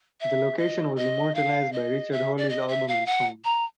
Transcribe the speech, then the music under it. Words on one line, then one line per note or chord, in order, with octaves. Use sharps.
The location was immortalised by Richard Hawley's album and song.
E5
D#5
D#5
F5
D#5
E5
D5
D#5
E5
F5
F#5
A#5